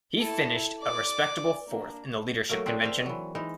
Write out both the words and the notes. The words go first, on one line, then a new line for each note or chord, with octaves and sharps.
He finished a respectable fourth in the leadership convention.
E4 A4
D5 D6
A#3 D4
F#3 A3 A#3 A#4
C4 D4 G#4
C5 E5 F5
E3 F#3
E3 G#3 D#4